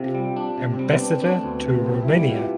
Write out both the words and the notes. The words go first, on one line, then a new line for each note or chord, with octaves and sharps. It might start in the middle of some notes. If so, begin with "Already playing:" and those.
Ambassador to Romania.
Already playing: C3 C4 F4 G4 A4
G3
D4
C3
C4
G3
B3
D4
B3 D4
A3
D2 B3
C3
B1 C4
E4
G3
F4
B2
G4